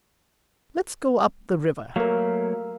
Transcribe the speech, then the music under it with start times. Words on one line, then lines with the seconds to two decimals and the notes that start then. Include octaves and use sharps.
"Let's go up the river."
1.96 F#3 A3 A#3 A#4 F5